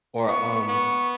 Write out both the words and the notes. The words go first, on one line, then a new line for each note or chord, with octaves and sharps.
Or, um
B3 C#6
B3 C#6